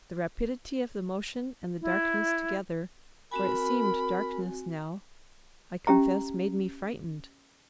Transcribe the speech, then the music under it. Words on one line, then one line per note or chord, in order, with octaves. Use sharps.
The rapidity of the motion and the darkness together--for it seemed darkness now--I confess made me frightened.
E4
C4 F#4 A#4 G#5 B5
C#4 G4 E5 A#5